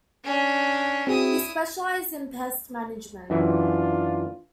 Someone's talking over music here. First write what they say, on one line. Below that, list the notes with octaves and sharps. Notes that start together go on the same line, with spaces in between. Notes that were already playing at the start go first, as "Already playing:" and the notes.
He specialized in pest management.
C#4 D4
C4 E4 F#4 G#4 D#6
F#2 E3 D4 F4 E5